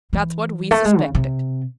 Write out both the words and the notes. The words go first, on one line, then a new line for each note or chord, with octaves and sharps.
That's what we suspected.
E3
A3
G#3
C#3
C3